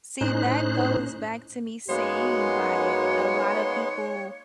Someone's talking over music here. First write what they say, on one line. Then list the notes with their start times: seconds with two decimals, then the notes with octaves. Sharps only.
See, that goes back to me saying, like, a lotta people
0.21 A2 C#4 D#4 C5 F#6
1.89 F#2 G#3 A#3 B3 D#4 F#4 C#5 C6